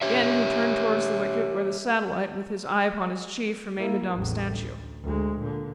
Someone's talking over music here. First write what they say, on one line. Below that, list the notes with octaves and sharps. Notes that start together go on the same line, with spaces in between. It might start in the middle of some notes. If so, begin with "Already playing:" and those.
Again he turned towards the wicket, where the satellite, with his eye upon his chief, remained a dumb statue.
G4 C#5 E5
A#3 E4
A1 E2
D2
D2 G#3
A#2 D3